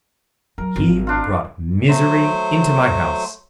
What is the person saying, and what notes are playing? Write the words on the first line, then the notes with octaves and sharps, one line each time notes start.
He brought misery into my house.
F#3 A#4
G#1
D4 F4
F#3 A3 C5